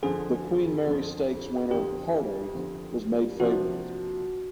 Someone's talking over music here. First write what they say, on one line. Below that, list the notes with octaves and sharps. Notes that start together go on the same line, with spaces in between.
The Queen Mary Stakes winner Heartache was made favourite.
F2 D3 F3 G#4
F2 D3 F3
F2 D3 F3 G4
F2 D3 F3
C3 F3 A#3 D4 F#4